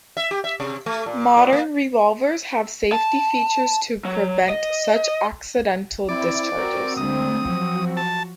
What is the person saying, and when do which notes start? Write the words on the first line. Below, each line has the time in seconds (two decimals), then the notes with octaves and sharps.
Modern revolvers have safety features to prevent such accidental discharges.
0.17 E5
0.31 G4
0.44 E5
0.60 C3
0.86 A3
1.06 A#2
1.37 A#2
1.53 A#3
2.92 A5
4.05 F#3
4.50 D#5
6.09 C4 E4 D5
6.56 C4 F#4 A#4
6.97 D2 G#3 D4 D#6
7.45 F3 F#3 F#4
7.97 A5